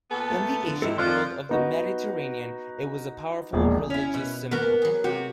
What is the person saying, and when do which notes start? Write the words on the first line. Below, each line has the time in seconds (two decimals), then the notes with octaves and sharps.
In the ancient world of the Mediterranean, it was a powerful religious symbol.
0.11 A#2 B3 A4
0.30 A3
0.67 D3
0.82 G#2 C3 D#4 E4 A4
0.98 F2 F3 D5 C6 F6 F#6
1.49 B3 D#4 F#4
3.53 E1 A#1 G#4
3.90 C#4 E4
4.14 B2
4.51 A#3 B3 F#4 A#4
4.82 F#3 G#4
5.04 C3 F#4 G4